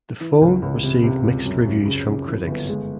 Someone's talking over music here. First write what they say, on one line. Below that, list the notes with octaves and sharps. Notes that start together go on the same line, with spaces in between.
The phone received mixed reviews from critics.
E3
C#2
C#2
C3
C3
C#2
F#2
F#2
C#3
C#3
E3
G1
G#3